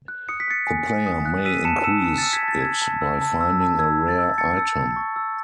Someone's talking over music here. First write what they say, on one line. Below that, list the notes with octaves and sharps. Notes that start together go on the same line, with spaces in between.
The player may increase it by finding a rare item.
F#6
D#6 C#7
B6
F#6 A6 C#7
G#5
G#5
D#6
F#6
E6 B6 D#7
A5 C#7 E7
E6 C#7 E7
A5 C#7 E7
E6 A6 C#7
G#6 B6
A5
A6
E6 G#6
A5
E6
A5
E6
A5
E6 G#6
A5
A6
E6
A5 A6 C#7
E6
A5
C#6
E6